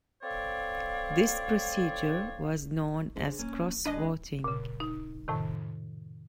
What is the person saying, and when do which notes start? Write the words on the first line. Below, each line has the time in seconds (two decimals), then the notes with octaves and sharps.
This procedure was known as 'cross-voting'.
0.22 C4 A4 C#5 D5 F5
3.16 D4 G#4 C5
3.39 A#3 C#4
3.86 E2 G#3 D4 B4 D#5
4.44 A#2 C#3
4.80 D#4
5.28 F2 A2 C3 D#3